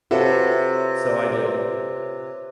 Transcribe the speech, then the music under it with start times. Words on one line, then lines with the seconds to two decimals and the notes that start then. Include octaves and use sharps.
So I did.
0.11 C3 F4 F#4 A4 B4 C#5 E5